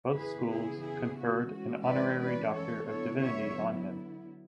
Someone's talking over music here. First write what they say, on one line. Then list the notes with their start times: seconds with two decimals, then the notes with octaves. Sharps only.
Both schools conferred an honorary doctor of divinity on him.
0.13 C#3 E3 B3 E4 G#4 B4
0.47 E4 G#4
0.81 E4 G#4
1.16 F#4
1.50 E3 G#3 C#4 E4 F#4
1.84 B4 D5
2.19 B4 D5
2.53 A4 C#5
2.87 D3 F#3 B3 E4 A4 C#5
3.21 C#5 E5